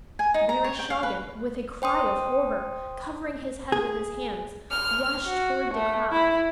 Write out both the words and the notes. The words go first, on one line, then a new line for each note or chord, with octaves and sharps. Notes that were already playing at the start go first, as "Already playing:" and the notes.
Vereshchagin with a cry of horror, covering his head with his hands, rushed toward the crowd.
G#5
D#4
A#5
C#5
G5
F5
B4
C5 G5 C6 D#6
G#4
F6
F#4
A3
E4